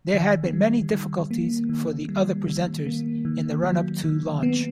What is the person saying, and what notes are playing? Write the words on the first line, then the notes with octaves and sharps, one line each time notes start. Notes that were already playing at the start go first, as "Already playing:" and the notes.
There had been many difficulties for the other presenters in the run-up to launch.
D#3
G3
D#3
A#3
D#3
G3
D#3
A#3
D#3
F#3
D#3
B3